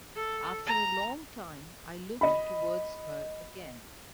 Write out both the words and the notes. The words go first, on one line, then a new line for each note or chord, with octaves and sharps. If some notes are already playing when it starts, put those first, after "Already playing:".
After a long time, I looked towards her again.
A4
A#5
D#5 B5